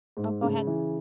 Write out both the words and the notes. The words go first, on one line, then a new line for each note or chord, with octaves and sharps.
Oh, go ahead.
G#2
C#3
E3